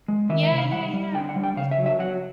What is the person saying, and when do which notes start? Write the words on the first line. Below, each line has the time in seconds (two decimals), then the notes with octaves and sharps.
Yeah, yeah, yeah. For sure.
0.08 G#3
0.29 D#3 E5
0.43 E5
0.51 C3
0.58 F5
0.72 G3 F#5
0.93 G3
1.15 D3 G5
1.29 F#5
1.36 G3
1.44 G5
1.57 C#3 F5
1.71 E5
1.79 F#3
1.86 E5
1.99 F#3 F#5